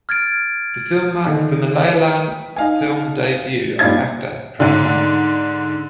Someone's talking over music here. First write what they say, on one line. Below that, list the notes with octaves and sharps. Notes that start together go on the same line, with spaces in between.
The film marks the Malayalam film debut of actor Prasanna.
F6 G#6 A6 D7
D3 D#3
B4
D#4 F5 G#5
G2 A#2 D4 D#4 F5 G#6
G#2 D3